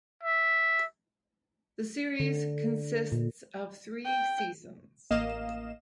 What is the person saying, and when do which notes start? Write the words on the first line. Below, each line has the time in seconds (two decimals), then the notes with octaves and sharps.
The series consists of three seasons.
0.24 E5
2.20 D3
3.12 A#2
4.04 G5
5.10 A1 A#3 D#5 F5 E7